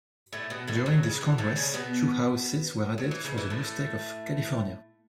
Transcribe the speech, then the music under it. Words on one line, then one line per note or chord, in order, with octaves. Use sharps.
During this Congress, two House seats were added for the new state of California.
A2 A3
B2 B3
A2 A3
F#3
C#3
E3
A2 A3
C#3 C#4
B2 B3
F#3
E3
C#3
E3
A2 A3